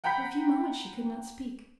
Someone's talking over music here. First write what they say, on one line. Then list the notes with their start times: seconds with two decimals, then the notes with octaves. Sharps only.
For a few moments she could not speak.
0.04 F#5 G5 A#5 B5 G6 B6